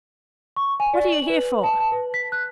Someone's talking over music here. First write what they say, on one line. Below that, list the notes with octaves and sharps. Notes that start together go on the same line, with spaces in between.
"What are you here for?"
C#6
G#5
D5
F#7
B4
A5
A5
B4
B6
F#6